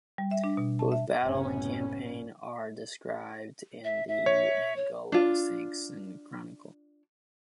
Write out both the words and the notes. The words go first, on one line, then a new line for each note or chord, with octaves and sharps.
Both battle and campaign are described in the "Anglo-Saxon Chronicle".
G3
E5
D4
B2
A5
E5
F#1 A2 C3 B3 C#4
E5
E5
C#5
C#5
D4 F4